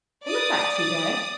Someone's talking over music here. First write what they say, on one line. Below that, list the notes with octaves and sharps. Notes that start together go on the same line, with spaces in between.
In the factory there?'
D5 D#6